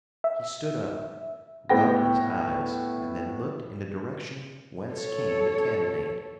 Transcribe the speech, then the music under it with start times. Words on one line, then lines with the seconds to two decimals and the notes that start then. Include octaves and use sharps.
He stood up, rubbed his eyes and then looked in the direction whence came the cannonade.
0.24 E5
1.69 A2 B3 G5 A#6
4.94 A4 C#5